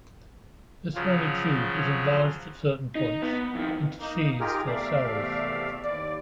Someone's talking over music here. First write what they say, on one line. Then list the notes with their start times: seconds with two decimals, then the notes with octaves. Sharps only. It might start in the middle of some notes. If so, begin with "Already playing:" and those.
This horny tube is enlarged at certain points into sheaths or cells.
0.95 C#3 F3 F#3 F4
2.95 D#4
3.22 B3
3.55 F2 D#3
3.99 A#3 D#4
4.40 D#4 F4 G4 G#4 A#4
4.67 E2 C3 A3 D5 E5 F5
5.83 D#2 D5